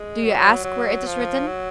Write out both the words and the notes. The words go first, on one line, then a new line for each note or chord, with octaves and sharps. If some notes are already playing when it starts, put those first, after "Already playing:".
Do you ask where it is written?
Already playing: G#3
F#3
F#3
F3
F#3